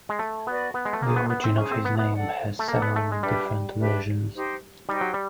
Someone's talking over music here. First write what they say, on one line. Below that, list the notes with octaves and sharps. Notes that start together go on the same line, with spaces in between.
The origin of his name has several different versions.
G#3
A3
B3 F#4 B4 D5
B3
G#3
A3
A#3 D#4 G#4 C5
B3
B3
C4
C#4 D#4 G#4 C5
C4
B3
B3
A4 D5 F#5
A3
A#3 A4 D5 F#5
B3
A3
G#3
G3 D4 G4 B4 E5
D4 G4 B4 E5
D#4 G4 C5
G3 D#4 G4 C5
F#3
G3